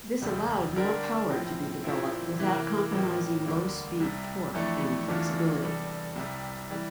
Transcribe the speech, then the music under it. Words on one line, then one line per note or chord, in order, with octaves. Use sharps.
This allowed more power to be developed without compromising low-speed torque and flexibility.
E1 D2 C3 G3
D3 G3 D4 G4 A#4
A#1 A2 F3 C4
A#2 F3 C4 E4
C3 E3 A#3
A1 A2 F3 A#3
E1 D2 D3 G3 A#3
C2 C3 G3
F2 E3 A3 D4 A4
E2 E3 A3 D4 F4
E2 C3 G3 D4 A4
C2 C3 G3
E3 G3